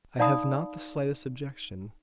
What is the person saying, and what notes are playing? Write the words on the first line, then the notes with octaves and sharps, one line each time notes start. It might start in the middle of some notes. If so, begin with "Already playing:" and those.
I have not the slightest objection.
D#4 D5 F5 A5 B5 D#6